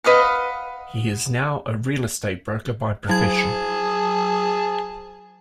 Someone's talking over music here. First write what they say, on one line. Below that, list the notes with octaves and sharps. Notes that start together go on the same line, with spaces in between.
He is now a real estate broker by profession.
B4 D#5 F5 F#5
F#3 G#4 A5 G#6